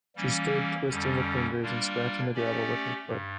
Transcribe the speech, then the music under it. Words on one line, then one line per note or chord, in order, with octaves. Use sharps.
She stood twisting the fingers and scratching the gravel with her foot.
E3 G3 A#3 C#4
F2 D3 G3 C#4
G3 A#3 D4 F4 A#4
A3 C#4 G4 D5
G2